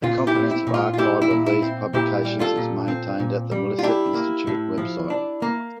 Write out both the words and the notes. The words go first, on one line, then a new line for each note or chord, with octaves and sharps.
A comprehensive archive of these publications is maintained at the Melissa Institute website.
A#2 F4
E4 G4
C4
E4
A#2
F4
F4
G3 E4 G4
E4
A#2
E4
C4
A#2 E4 G4
G3
F4 A4
A#2
C4
A#2
G3
F4
D4 E4 G4
A#3
A2
F3
D4
A#3